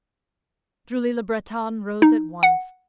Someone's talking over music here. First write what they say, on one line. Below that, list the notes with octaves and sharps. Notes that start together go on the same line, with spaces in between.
Julie Le Breton rose at once.
D#4
F#5